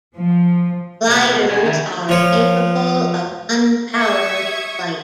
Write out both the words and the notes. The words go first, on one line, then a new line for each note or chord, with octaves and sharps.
Gliders are capable of unpowered flight.
F3
C2 A3 A#3 G4 C#5
B2 A3
F#3 B3 C#4 G4 G#5
D#3 G3 D#4 E5
F3 C#5
E5 C#6 D#6 E6 G#6